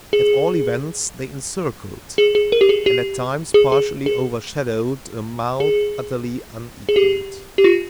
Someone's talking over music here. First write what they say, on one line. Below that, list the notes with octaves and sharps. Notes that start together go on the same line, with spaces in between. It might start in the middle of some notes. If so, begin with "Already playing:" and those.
At all events, they encircled, and at times partially overshadowed, a mouth utterly unequalled.
G#4
G#4
G#4
A#4
G4
G#4
G4
G#4
G#4
G#4
G#4
G#4
G4
G4
F4